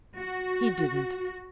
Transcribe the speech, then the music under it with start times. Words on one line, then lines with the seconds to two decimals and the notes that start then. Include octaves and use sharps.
He didn't.
0.17 F#4